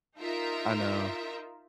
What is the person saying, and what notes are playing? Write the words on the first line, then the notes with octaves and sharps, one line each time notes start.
I know.
D#4 F4 A#4 E5